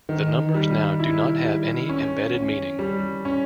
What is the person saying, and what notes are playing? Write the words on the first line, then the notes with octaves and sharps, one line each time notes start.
The numbers now do not have any embedded meaning.
D#3
G3
E4
G3
C#4
C#4
G3
C#4